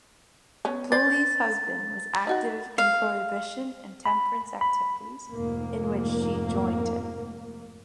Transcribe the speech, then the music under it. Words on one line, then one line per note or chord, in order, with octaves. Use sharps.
Boole's husband was active in prohibition and temperance activities, in which she joined him.
B3 C#4
C5 D5 A6
D#4 F#4 F#5
F5
B5
B5
F1 G#2 A#3